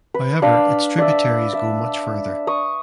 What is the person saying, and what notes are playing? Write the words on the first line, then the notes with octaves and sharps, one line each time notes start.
However its tributaries go much further.
B4
D4 F5 B5
D5 E5
E5
C#6 D#6